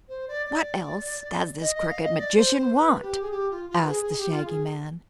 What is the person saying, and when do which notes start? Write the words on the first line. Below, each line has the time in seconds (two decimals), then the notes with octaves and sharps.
"But what else does this Crooked Magician want?" asked the Shaggy Man.
0.09 C5
0.28 D5
0.46 D5
1.61 D#5
1.74 D#5
1.90 F5
2.03 D#5
2.18 D5
2.37 C5
2.56 C5
2.74 B4
3.02 G4
3.21 G#4
3.31 G4
3.51 F4
3.70 F4
3.80 B4
3.88 G#4
4.03 G#4
4.17 G4
4.31 F4
4.45 G#4